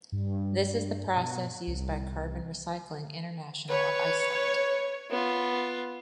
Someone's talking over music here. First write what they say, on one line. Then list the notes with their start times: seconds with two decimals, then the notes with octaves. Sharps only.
This is the process used by Carbon Recycling International of Iceland.
0.12 G2
1.16 B2
1.67 C2
3.69 B4 C#5
5.10 B3 F4